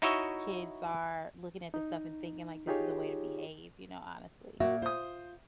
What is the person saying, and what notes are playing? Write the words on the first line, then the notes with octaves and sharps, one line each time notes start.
kids are looking at this stuff and thinking, like, this is the way to behave, you know, honestly.
D#4 E4 F#4 C#5 D#5 E5
D#4
D#4 F4 G4 G#4 C#5
A#2 A#3 F#4 E5
F4 C5 D#6